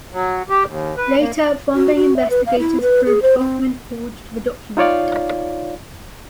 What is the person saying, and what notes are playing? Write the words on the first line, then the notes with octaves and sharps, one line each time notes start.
Later, bombing investigators proved Hofmann forged the document.
F#3
G4
D#2
B4
A#3
F#4
F#4
E5
B4
F5
E4
B4
G#4
C5
C4
D#4 F4 C#5 D5 F5